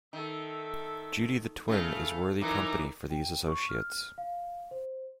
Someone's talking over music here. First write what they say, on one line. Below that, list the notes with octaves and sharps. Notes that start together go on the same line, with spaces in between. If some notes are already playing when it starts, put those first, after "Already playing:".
Judy the twin is worthy company for these associates.
D#3 A4 E5
C#3 A3 A4 F5
E3 F#3 D#4 A#4 D6
G5
C#6
F6
F5
C5